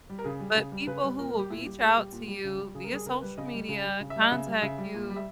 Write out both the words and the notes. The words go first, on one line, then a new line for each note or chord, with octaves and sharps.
but people who will reach out to you via social media, contact you,
G3
A#4
C#3 G#4
G3
C#3
G3
C#3 B4
G3
A#2 A#4
A#4
G3 G4
A#2 E4
G3 G4
A#2 G#4
G3 G4
A#2
G3
C#3
G3
C#3 G#4
A#4
G3 G#4
C#3 A#4
G3 B4
C#3 D#5
G3
C#3
G3
C#3
E5
G3
D#5
C#3 E5
G3
C#3 E5
G3
A#2
G3
E5